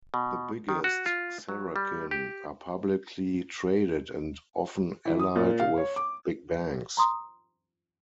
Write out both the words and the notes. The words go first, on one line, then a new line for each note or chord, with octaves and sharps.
The biggest "sarakin" are publicly traded and often allied with big banks.
B2
D#3
F#4
F4
F#3
G3
G4
E3
D#6
A#2
F5
C#5
D6
A#5 C6 D#6